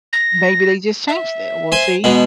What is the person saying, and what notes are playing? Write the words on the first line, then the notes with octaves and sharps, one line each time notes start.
maybe they just changed it, we'll see.
A#6
E5
C5 G#5
B2 G#3